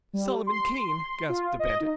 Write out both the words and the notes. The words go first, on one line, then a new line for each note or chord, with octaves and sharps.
"Solomon Kane!" gasped the bandit.
G3
C6
F4
D#5
D#4